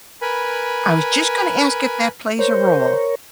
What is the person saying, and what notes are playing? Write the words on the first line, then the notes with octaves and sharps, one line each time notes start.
I was just gonna ask if that plays a role.
A#4 B4 G#5 B5
A#4 C5 C#5